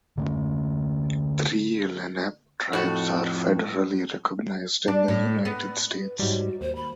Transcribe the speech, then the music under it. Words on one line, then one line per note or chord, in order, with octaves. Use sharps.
Three Lenape tribes are federally recognized in the United States.
D3 A3 C#4
F2 A2 F#4
D4
A2
B3
B4
G#2 F#3 G3 F#4
D#2 C5
B5